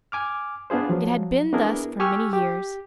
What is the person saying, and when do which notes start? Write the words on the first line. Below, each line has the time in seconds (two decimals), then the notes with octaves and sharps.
It had been thus for many years.
0.12 G#5 D6 F6
0.70 B3 D4 F4 G#4 C5
0.90 F3 F#3
1.53 B3 D4 E4 G#4 A#4
2.00 G4 G#5 C#6 E6 F6
2.33 G4